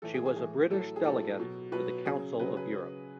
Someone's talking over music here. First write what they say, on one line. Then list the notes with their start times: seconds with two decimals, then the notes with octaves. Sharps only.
She was a British delegate to the Council of Europe.
0.02 A2 E3 A4
0.14 G#4
0.26 G#4
0.36 A2 E3 G#4
0.71 A2 F#3 A4
0.96 G#4
1.04 A2 F#3 A4
1.38 B2 F#3
1.72 B2 F#3 B4
2.05 C#3 F#3 G#4
2.40 C#3 F#3 B4
2.57 B4